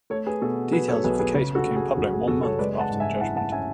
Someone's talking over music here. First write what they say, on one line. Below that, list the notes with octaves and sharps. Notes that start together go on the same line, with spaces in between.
Details of the case became public one month after the judgement.
A3 A4 C#5
G#4 B4
B2 F#4 A4
F#3 G#4 B4
A4 C#5
B1 G#4 B4
G#4 B4
C#3 G#4 B4
F#4 A4
C#3
G#4
F#1 F#4
G#4
F#1 F#4 A4
A4 C#5
G#3 B4 D5
F#5 A5
G#2
E5 G#5
E4 F#5 A5
F#5 A5
C#4 E5 G#5